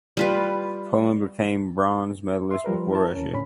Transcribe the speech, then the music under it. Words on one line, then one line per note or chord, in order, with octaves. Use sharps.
Poland became bronze medalist before Russia.
G3 F4 B4
E5 C6
F3 G3 A#4 B4
E4 A#4 A5
D#2 C#4
A2 D3 C#4 B5